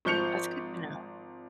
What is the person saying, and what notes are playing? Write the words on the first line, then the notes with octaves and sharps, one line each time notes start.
that's good to know.
G#1 F3 G6 C#7 F7